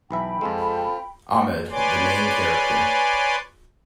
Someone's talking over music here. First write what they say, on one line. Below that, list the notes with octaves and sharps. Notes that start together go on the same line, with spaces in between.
Ahmed: The main character.
B1 E3 E5 G5 B5
F2 G#3 C4 F4 A4
B4 C#5 D5 G#5 C6 D6